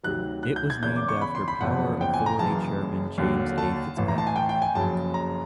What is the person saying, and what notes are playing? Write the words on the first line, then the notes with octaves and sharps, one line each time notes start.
It was named after Power Authority Chairman James A. FitzPatrick.
D2 C3 D#3 F#3 F#6
F#6
G6
G#6
E2 C#3 E3 G6
D6
C#6
B5
C6
B5
F#1 E2 C#3 F3 F#5
G5
G#5
A#5
F#1 F#2 C#3 E3 A5
D#2 D3 F#3
A5
A1 A2 E3
A#5
A5
G#5
G5
G5
G#5
F#1 F2 C#3 F#3 A5
A#5